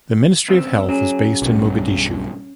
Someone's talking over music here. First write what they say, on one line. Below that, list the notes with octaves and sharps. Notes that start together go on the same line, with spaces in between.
The Ministry of Health is based in Mogadishu.
E2 C#3 C4
F#3 C#4 G#4
B1 G2